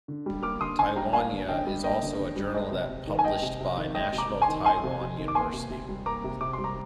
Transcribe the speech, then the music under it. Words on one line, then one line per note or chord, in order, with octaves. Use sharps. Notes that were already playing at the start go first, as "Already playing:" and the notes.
Taiwania is also a journal that published by National Taiwan University.
D3
G3
A#3 D6 F6
D3 C6 D#6
D3 G#5 C6
G3 G5 A#5
A#3 F5 G#5
D3
D3 D#5 G5
G3
A#3 D#5 G5
D3
D3
G3
G#3
C3
C3
D#3
G#5
G#3 D#5 G5
C3
C3
D#3
G#3 D#5 G5
C3
A#5 D6
C3
G#5 C6
D#3
G#3 G#5 C6
C3
C3
D#3
D6
A#3 G#5 C6
C3
C3
G3
A#3 A#5 D6
C3
C3 D6
G3 C6
A#5 D6